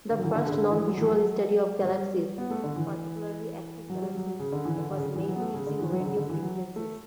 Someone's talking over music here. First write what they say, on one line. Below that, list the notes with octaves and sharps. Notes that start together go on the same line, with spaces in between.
The first non-visual study of galaxies, particularly active galaxies, was made using radio frequencies.
D3
F#3
E3
D3
C#3
D3
E3
F#3
E3
F#3
F#3
G3
B3
A3
D3
E3
F#3
G3
F#3
C#3
D3
E3
D3
D3
C#3
D3
E3
F#3
B3
A3
C#3
D3
E3
F#3
D3
C#3
D3
E3
F#3
A3